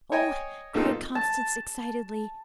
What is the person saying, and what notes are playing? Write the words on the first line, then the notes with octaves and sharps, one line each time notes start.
"Oh," cried Constance excitedly.
C#5 D#5 G5 G#5
B1 A#3 C4 D#4 F4 A4
A5